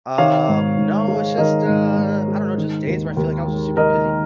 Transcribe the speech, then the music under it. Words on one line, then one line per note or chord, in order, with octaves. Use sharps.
Um, no it's just uh, I don't know, just days where I feel like I was just super busy.
D#3 C#5 F5
G#2
G#2
G#3
D#3 A#4 D#5
G#2
G#2
G#3
D#3
D#2
D#2
G#3
D#3 A#4 D#5